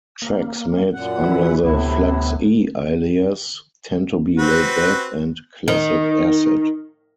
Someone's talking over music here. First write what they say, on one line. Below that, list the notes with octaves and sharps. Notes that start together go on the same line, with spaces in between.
Tracks made under the FlexE alias tend to be laid-back and classic acid.
A#3
F#2 A#2 F#5
E3 E4
D2 A2 C3 B3 E4
C4 F#4 B4
D#3